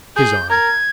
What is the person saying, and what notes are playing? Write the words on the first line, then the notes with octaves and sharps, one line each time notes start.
His arm.
G#4 G6
A#4 G#6